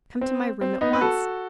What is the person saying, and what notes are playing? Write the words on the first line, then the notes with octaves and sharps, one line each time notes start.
Come to my room at once.
C4
C4
B3 D#4
B4
F#4 A4